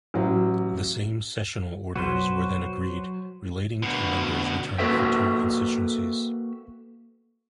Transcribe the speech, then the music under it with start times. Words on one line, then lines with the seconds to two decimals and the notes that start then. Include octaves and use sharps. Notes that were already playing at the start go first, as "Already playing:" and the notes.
The same sessional orders were then agreed relating to members returned for two constituencies.
0.14 A1 F#3
1.96 B1 F#3 F#4 B4 C5
3.83 D2 B2
4.78 A#3 F#4 A4 B4 E5 G5